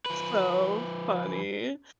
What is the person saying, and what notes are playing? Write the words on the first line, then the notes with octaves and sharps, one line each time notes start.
so funny.
F3 B4